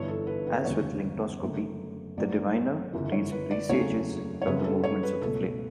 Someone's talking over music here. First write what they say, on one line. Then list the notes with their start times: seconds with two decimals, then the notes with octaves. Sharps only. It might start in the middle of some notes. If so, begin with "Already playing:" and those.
As with Lychnoscopy, the diviner reads presages from the movements of the flame.
Already playing: G1 G2 E3 C#5
0.08 A4
0.27 B4
0.47 B4
0.65 E1 D2 C#3 G3 C#5
1.41 F#1 F#2 D3 F#3 A3
2.17 A1 G2 F#3 A3 D5
2.93 G1 F#2 C#3 E3
3.12 C#5
3.32 B4
3.51 D5
3.69 F#1 E2 C#3 F#3 A3 C#5
4.42 C#5
4.46 F#2 C#3 G3 B4
4.64 A4
4.84 C#5
5.03 B4
5.21 C#2 B2 A3 A4